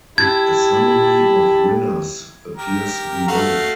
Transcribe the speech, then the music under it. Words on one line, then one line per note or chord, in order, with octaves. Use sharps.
A summary of winners appears below.
E4 G4 A5 G#6
G4 A#4
A3 F#4 F5